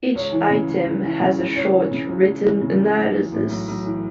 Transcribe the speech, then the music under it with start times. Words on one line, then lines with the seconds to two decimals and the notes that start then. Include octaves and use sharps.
Each item has a short written analysis.
0.15 C#2 C#5
0.32 E3
0.50 C#3
0.68 C#2
0.86 C#2
1.04 E3
1.21 C#3
1.38 C#2
1.56 C#2 C#5
1.74 E3
1.91 C#3
2.09 C#2
2.27 C#2
2.44 E3
2.61 C#3
2.80 C#2
2.97 B1
3.15 E3
3.32 A2
3.50 B1
3.68 B1
3.85 E3